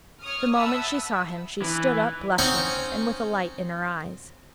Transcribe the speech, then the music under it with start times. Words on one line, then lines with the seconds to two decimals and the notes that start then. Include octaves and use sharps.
The moment she saw him she stood up blushing, and with a light in her eyes.
0.21 C#5 C#6 D#6 F6
0.55 E5 F#5 A5 B5 D#6 E6
1.62 E3
2.38 C4 C#4 D#4 C#5 F#5